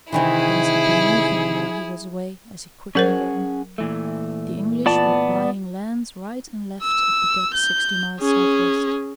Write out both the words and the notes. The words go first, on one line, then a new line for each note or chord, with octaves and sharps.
Things had been moving while he was away, as he quickly learned. The English were buying lands right and left at the gap sixty miles southwest.
C3 D#3 E3 E4 G#4
F#3 C#4 G#4 A#4 C5 F#5
A#2 E3 A3
B3 F4 D5 A5
E6
G6
C#4 G#4